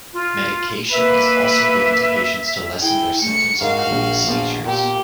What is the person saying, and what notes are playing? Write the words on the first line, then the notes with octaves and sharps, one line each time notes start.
Medication is also given to patients to lessen their symptoms including seizures.
F4
A#3 B4 E5
E4 G#4 G5
A3 C#7
G#2 F#4 A#4 F5
A#1
A#1 F3 B3 F4
A#2 G4